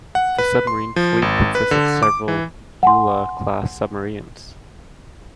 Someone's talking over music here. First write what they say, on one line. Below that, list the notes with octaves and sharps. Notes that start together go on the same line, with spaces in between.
The submarine fleet consists of several "Ula" class submarines.
F#5
B4
C6
F3
G#1
B4
D3
D6
E3
F#5 G#5 C6